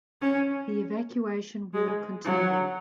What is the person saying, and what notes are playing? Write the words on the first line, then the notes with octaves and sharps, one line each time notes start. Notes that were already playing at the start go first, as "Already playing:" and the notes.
The evacuation will continue.
C#4
G#3
F#3